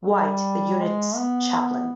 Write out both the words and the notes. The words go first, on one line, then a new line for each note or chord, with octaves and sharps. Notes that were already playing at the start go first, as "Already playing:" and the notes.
White, the unit's Chaplain.
G3
G#3
B3